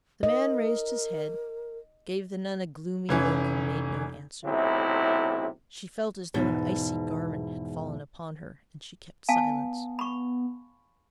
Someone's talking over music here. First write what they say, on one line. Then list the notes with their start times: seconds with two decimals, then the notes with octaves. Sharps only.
The man raised his head, gave the nun a gloomy look, and made no answer. She felt as though an icy garment had fallen upon her, and she kept silence.
0.23 A#4 D#5
3.09 F1 E3 C#4
4.45 B1 A2 C3 E4
6.34 E2 G#2 B2
9.29 B3 F5 G#5 A5
9.99 B5 C#6